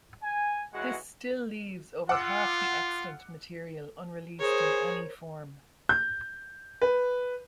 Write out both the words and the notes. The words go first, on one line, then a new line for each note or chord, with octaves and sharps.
This still leaves over half the extant material unreleased in any form.
G#5
B1 C#3 E3 G#3 F#4 F#5
F4 F#5 D6 E6
G#4 A#4 C5 C#5
G6
B4